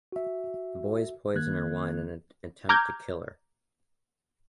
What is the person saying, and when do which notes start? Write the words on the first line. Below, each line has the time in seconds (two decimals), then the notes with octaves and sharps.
The boys poison her wine in an attempt to kill her.
0.12 F#4 E5
1.35 D#3 A#3 F#6 G#6
2.69 A#5 D6 F6 G6 G#6